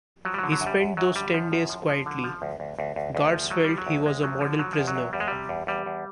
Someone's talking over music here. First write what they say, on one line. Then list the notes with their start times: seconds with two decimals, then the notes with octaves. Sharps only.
He spent those ten days quietly; guards felt he was a model prisoner.
0.25 F3 F#3
0.34 G3
0.38 F#3
0.43 D3
0.52 F#3
0.61 F#2
0.66 G3
0.80 F#2
0.97 F#2 F#3
1.16 D3 G3
1.33 F#2 F3
1.52 F#2
1.70 F3
1.88 F3
2.06 D3
2.24 F3
2.42 D2
2.60 D2
2.79 D2
2.96 D2
3.15 D2
3.33 F3
3.50 F3 F#3
3.65 F3 G3
3.78 F#3
3.86 D2
4.06 D2 G#3
4.23 F3 F#3
4.41 D3 F3
4.59 F3 F#3
4.73 F3
4.78 E2
4.88 F#3
4.96 E2
5.13 E2 G3
5.20 G#3
5.28 C3 G3
5.49 E2
5.67 E2 G3
5.86 E2